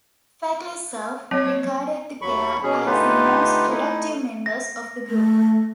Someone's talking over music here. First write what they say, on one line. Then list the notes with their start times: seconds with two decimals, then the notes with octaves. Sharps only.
Feklisov regarded the pair as the most productive members of the group.
1.31 F#3 A#3 C4 C#5
2.22 D#2 F#3 B5 C#6
2.63 B2 F#3 C#4 G#4
2.86 D3 A3 D#4 F4 G4 B4
3.70 A3 D#4 E4
4.46 A#6
5.09 A3